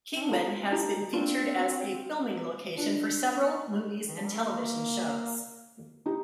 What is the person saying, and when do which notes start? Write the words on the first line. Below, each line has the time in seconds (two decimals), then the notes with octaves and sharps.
Kingman has been featured as a filming location for several movies and television shows.
0.16 C4
0.23 D4
0.31 D#4 F4 A4
0.63 C4
0.72 D4 D#4 G4
1.13 C4 D4 F4
2.77 D4 F4
4.08 D#3
4.17 F3
4.26 G3
4.34 A3
4.42 A#3
6.06 D#4 G4